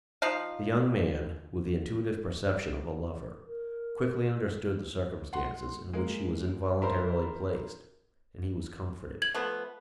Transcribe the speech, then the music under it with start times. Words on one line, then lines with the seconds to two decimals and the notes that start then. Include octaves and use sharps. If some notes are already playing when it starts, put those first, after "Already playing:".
The young man, with the intuitive perception of a lover, quickly understood the circumstances in which she was involuntarily placed, and he was comforted.
0.22 F3 D#4 F5
3.46 A#4
5.33 F#5 C6
5.93 G#3 A#3
6.82 A#4 C5 E5 B5
9.22 G#6 F#7
9.34 F3 A3 B3